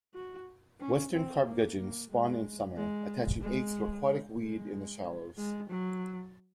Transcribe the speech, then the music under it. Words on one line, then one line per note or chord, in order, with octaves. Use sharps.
Western carp gudgeons spawn in summer, attaching eggs to aquatic weed in the shallows.
F#4
C#4
C4
A#3
A#3
G#3
G#3
G#3
G#3
G#3
F#3